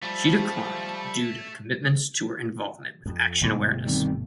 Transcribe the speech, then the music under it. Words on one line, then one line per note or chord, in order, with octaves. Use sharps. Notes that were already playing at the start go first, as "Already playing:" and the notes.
She declined due to commitments to her involvement with Action Awareness.
F3 G3 A3
F2
G1 B2 A3
C3 D#3 G3